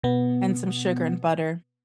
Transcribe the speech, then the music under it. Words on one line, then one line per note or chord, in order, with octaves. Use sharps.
and some sugar and butter,
B2 B3